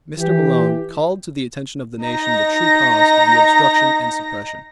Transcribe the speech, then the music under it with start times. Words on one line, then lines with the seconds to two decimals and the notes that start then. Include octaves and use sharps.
Mr. Malone called to the attention of the nation the true cause of the obstruction and suppression.
0.17 E3 G4
2.02 D#4 A#5 A#6